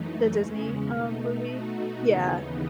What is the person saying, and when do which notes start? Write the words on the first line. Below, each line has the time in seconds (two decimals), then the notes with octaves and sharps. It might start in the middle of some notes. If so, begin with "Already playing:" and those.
The Disney, um, movie. Yeah.
Already playing: F#2 E3 A3 D#4
0.32 E2 C#3 G#3 C#4
0.88 B2 A3 D#4
1.44 B2 A3 D#4 F#4
2.01 D#2 C#3 E3 B3 D#4